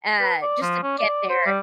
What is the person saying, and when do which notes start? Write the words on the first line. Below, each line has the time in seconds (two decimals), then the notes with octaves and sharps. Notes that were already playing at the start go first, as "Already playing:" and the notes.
uh, just to get there.
0.20 B4
0.42 D5
0.62 F3
0.83 C#4
0.99 D5
1.30 C5
1.46 G3